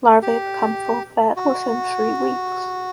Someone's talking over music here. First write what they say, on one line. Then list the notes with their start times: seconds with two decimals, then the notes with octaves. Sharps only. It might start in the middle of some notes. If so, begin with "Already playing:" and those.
Larvae become full fed within three weeks.
0.22 G4
1.37 F#4